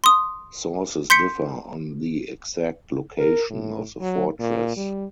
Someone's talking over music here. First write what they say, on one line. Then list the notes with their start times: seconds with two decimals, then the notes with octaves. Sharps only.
Sources differ on the exact location of the fortress.
0.04 C6 D#6
1.10 C6 G6 B6 C#7
3.18 A#4
3.50 A2
4.01 F#3
4.39 A#2
4.76 G3